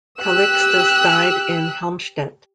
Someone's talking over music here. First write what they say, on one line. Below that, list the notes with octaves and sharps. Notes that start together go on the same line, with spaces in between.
Calixtus died in Helmstedt.
G4 E6 F#6